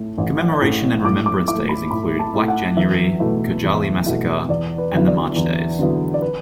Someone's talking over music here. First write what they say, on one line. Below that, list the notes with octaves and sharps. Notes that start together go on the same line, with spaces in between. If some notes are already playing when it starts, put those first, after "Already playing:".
Commemoration and remembrance days include Black January, Khojaly Massacre and the March Days.
Already playing: A2 A3
A1
A2 A3
A2 D6
D6
A3 E4 D6
B5
A2 B5
A5
A3 E4
F#5
E2 E5
B2 A3 E4
E2
B2 A3 E4
E2 D5
B4
D3 F#3 B3 E4
D5
E2
D3 F#3 B3 E4
D5
B4